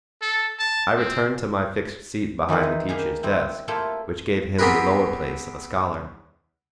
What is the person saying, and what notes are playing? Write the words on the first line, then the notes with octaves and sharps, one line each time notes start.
I returned to my fixed seat behind the teacher's desk, which gave him the lower place of a scholar.
A4
A5
C4
D#3 E3 C4 B4
D#4
A#3 G4 G#4 A#4 B4 A#5
G3 C4 E4
A3 A#3 E4 F4 G4 A4
B3 C4 G4 G#4 A#4 B4